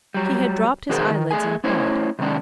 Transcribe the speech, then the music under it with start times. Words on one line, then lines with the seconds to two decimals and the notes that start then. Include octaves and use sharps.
He had dropped his eyelids in thought.
0.14 F#3 G3
0.89 B2 D#3 F#4 G#4 A#4 C5
1.10 D#3
1.31 A3 G#4 G#5
1.64 A3 C#4 E4 C5 C#5
2.19 C3 D#3 G#3 C#4 D4